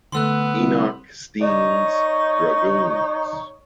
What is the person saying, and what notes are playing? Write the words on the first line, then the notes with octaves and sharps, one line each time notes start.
Enoch Steen's dragoons.
D3 A3 B3 C6 E6 F#6
C2
D#4 C#5 D5